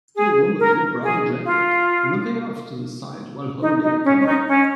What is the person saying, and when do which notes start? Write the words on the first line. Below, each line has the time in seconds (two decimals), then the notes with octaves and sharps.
A woman in a brown jacket looking off to the side while holding a camera.
0.16 G#4
0.59 A#4
1.02 G#4
1.44 F4
3.60 D#4
3.82 D#4
4.04 C#4
4.19 C#4
4.26 D#4
4.47 C#4